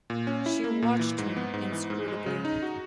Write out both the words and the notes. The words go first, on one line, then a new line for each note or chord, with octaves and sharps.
She watched him inscrutably.
A#2
C#4
E4
A#3
A#2
E3
G#2
B3
G#2
E3
G#2
G#3
C#3
D#4
F#4